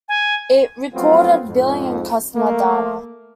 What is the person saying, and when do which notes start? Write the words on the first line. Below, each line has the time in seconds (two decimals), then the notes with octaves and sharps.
It recorded billing and customer data.
0.09 G#5
0.94 F3 F#3 A3 B3 C4 F4
1.46 F2 G#2
2.36 A3 A#3